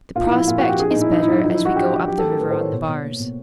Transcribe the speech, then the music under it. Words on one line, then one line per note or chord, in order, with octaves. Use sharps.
The prospect is better as we go up the river on the bars.
A#2 F4
E4
F3
E4
A#2 F4
F#4
F3
G4
D4 G#4
D#4
A#2
E4
D4 D#4
E4
F#3
D#4
F3 D#4
E4
D4
F#4
D4 G4
D4
F#3 G4
A4
A3
A#4
A2 B4
C5
A2
C#5
B2
B2
A#3
B2